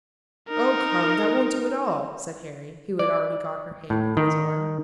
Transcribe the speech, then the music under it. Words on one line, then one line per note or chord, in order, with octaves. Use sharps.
"Oh, come, that won't do at all," said Harry, who had already got her hand within his arm.
D#4 A#4
D5
A2
D#3